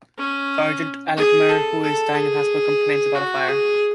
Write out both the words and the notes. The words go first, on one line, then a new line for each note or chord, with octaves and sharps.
Sergeant Altameyer, who is dying in a hospital, complains about a fire.
C#4
G#4
A4
A4
G#4
F#4
G#4